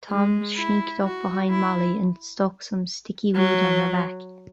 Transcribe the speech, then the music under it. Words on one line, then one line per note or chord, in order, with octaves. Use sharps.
Tom sneaked up behind Molly and stuck some stickyweed on her back.
G#3
E4
F#4
E4
F#3